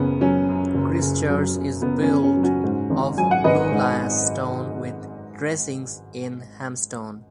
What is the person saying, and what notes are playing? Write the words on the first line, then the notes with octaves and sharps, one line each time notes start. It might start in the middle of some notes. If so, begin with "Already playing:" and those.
Christ Church is built of Blue Lias stone with dressings in Hamstone.
Already playing: F#1 C#3 B3 C#4
F#3 C#4
F#2
F#1
C#3
F#3
F#2
F#1 B3
C#4
C#3
C#4
F#3
C#4 F#4
G#2
G#1
F#3 G#5
F#5
G#1 B4 D#5
G#2